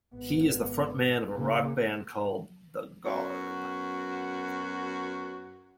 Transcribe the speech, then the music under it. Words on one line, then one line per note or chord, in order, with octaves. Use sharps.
He is the frontman of a rock band called The Garb.
G#1 B3
C#3 A#3
F#2 B3 F#4